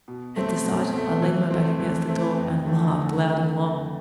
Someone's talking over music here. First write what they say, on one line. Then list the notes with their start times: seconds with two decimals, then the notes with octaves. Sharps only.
At the sight, I leaned my back against the door and laughed loud and long.
0.08 B2
0.36 A3 C4
0.65 B2
0.94 A3 C4
1.22 E3
1.51 A3 C4
1.80 E3
2.08 A3 C4
2.37 F2
2.66 D3 A3